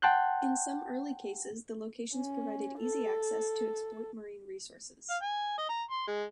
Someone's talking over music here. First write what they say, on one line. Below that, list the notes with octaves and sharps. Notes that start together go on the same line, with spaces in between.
In some early cases the locations provided easy access to exploit marine resources.
F#5 G5 A5 C6 F#6 G6
C#4
A4
F5
G#5
D#5
A#5
C6
G#3